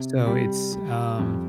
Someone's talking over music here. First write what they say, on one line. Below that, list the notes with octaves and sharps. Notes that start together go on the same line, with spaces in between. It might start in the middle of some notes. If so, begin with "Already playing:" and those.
So it's, um
Already playing: C3
G3
G3
F2